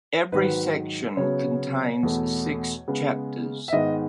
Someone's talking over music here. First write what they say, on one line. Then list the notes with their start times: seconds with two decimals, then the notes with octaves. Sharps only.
Every section contains six chapters.
0.32 G#2 D#3 F#3 B4
1.17 C#3 F#3 B3 C#5
2.03 E2 B2 A3
2.88 C#3 G#3 B3
3.68 E5
3.72 G#2 D#3 G#3 B3 D#5